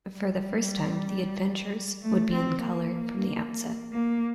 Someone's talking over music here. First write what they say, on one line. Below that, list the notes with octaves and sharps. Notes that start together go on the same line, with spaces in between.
For the first time, the "Adventures" would be in colour from the outset.
G3
A3
C4
A#3
A#3